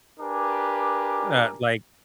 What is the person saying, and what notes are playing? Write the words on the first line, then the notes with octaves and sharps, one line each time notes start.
Uh, like,
D4 G4 A#4 B4 G#5 D6